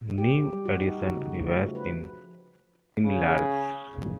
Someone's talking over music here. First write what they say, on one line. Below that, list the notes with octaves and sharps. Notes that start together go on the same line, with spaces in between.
New edition, revised and enlarged.
G4
G3
F#4
D#4
F#4
C#3
A3
F3
B4
C#3